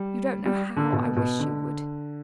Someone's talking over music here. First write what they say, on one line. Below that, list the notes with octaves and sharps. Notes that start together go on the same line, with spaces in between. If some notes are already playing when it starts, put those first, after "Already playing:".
'You don't know how I wish you would.
Already playing: G3
G3
D3
B2
B2
D3